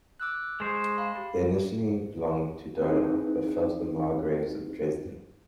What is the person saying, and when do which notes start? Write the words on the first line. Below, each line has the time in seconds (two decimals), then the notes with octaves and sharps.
They initially belonged to Dohna, but fell to the Margraves of Dresden.
0.20 D6 E6 F#6
0.60 G#3 G#4 C5 C#6
0.98 F5 B5
1.16 G4
2.81 C4 D#4 E4 G#4 B4